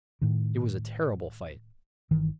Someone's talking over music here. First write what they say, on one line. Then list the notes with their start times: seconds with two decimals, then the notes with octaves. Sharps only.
It was a terrible fight.
0.22 A2 D#3
2.11 G1 D#3 E3